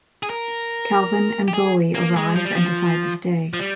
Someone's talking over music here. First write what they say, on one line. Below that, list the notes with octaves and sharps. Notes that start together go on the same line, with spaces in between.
Calvin and Bowie arrive and decide to stay.
G#4
A#4
G4
G#4
A#3
G#3
F3
G3
F3
F3
G3